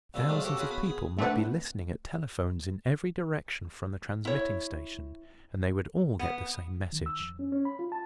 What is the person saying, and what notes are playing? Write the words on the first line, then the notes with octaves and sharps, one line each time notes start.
Thousands of people might be listening at telephones in every direction from the transmitting-station, and they would all get the same message.
C2 A#2 E3 A3
F3 F#3 G#3 A3 D4 F4
F#4 G4 A4 F5
C#4 F4 F#4 G#4 B4 A5
B3 F#4 B4
B3 G#4
A3 C4 D4 B4 F#5
E4 C#5
B3
D#3
E6
F2
C#4
C#4
B5
F4
A5